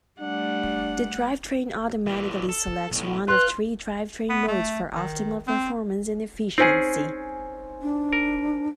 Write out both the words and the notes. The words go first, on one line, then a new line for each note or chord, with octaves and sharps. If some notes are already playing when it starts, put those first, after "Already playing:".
The drivetrain automatically selects one of three drivetrain modes for optimal performance and efficiency.
G3 A3 D4 F#5
A#2 E3
A4
B1 A2
F4 B4 C6 F#6
B3
A3
D#3
C4
C4 C#4 D#4 G#4 C5 G#5
D4
A#4